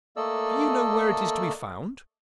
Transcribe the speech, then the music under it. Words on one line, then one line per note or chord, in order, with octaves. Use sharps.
'Do you know where it is to be found?'
A3 A#3 A4 D5 D#5 E6